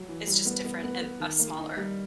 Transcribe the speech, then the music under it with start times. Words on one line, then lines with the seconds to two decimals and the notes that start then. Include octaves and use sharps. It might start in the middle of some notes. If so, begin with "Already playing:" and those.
it's just different and a smaller
Already playing: F#3
0.08 E3
0.27 G3
0.46 B3
0.65 B3
0.83 B3
1.01 B3
1.20 D#3
1.39 A#3
1.58 D#4
1.77 G3